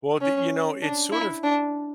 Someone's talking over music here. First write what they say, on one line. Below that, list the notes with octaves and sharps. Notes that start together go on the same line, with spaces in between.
Well, d it's sort of
C#4
D4
E4
D4